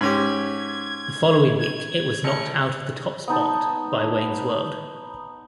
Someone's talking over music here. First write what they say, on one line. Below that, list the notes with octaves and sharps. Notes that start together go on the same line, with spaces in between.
The following week it was knocked out of the top spot by "Wayne's World".
G#2 C#4 G4 G#6
G#6
A1 C#7
B3 D#4 A5